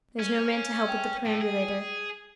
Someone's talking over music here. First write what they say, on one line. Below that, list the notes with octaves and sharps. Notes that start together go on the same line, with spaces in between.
There's no man to help with the perambulator.
C#4
G5
A2
G#4